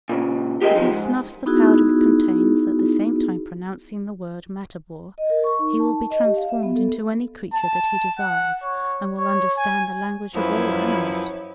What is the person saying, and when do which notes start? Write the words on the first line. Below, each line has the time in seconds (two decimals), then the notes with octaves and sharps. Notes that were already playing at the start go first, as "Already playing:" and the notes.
If he snuffs the powder it contains, at the same time pronouncing the word 'Matabor,' he will be transformed into any creature that he desires, and will understand the language of all animals.
0.09 A#2 C#3
0.62 G4 G#4 A#4 D#5 E5 G5
0.75 F#2 C3 D#3 F3 D#4
0.90 G#2
1.46 B3 D#4 E4 F#4 G#4
5.18 D#5
5.30 A#4
5.44 C#6
5.59 D#4
5.80 A5
6.10 D#5
6.25 G4
6.36 F5
6.49 E5
6.63 B3
6.75 A4
7.54 A5
8.18 F#5
8.63 C#5
9.18 C#5
9.57 G#5
10.34 F#2 F3 F#3 E4 B4 C#5